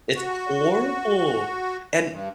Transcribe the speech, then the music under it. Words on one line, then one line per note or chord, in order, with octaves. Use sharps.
It's horrible. And
F#4
G2